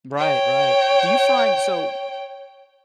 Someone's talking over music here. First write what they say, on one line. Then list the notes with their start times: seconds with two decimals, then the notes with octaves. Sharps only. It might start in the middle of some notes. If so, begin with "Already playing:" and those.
Right, right. Do you find so,
0.18 C#5 G5